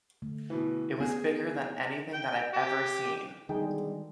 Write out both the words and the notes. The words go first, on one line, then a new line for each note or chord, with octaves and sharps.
It was bigger than anything that I've ever seen.
D3 A3
B2 E3
B3 G#4
G5
G4
B2 D3 D#3 G3 G#3 D#4 G#4 G5